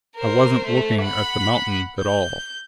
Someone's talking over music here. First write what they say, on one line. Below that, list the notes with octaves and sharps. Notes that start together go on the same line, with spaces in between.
I wasn't looking at the mountain at all.
A#4 C5
A3
F#5 B5
G6